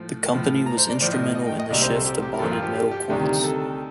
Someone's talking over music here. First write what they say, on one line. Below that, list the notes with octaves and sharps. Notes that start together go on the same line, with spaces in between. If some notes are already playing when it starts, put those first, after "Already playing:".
The company was instrumental in the shift to bonded metal coins.
Already playing: A2 F3
A2 F3
A#5
C5
D5
A2 F3 D5
D#5
D#5
D#5
G5
D#5
C2 A#2 G3 D5
C5
A4
G4
G4
A#4
G2 F3 A4
F4
G4
G4
G4
D2 C3 D#3 G3
A4